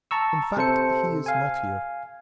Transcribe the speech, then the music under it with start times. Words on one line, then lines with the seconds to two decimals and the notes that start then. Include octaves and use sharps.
"In fact, he is not here...."
0.11 A5 A#5 C#6 E6
0.57 C3 A4 C5 C#7
1.26 F5 G#5